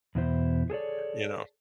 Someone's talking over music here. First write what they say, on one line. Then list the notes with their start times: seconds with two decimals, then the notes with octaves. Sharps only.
you know?
0.15 E2 B2 E4 C5
0.70 G#4 A4 C#5 D5